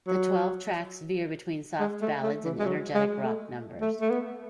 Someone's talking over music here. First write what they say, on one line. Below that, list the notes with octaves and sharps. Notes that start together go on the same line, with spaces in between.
The twelve tracks veer between soft ballads and energetic rock numbers.
F#3
G#3
A3
A3
E3
G#3
F#3
G#3
A3
A3
A3
B3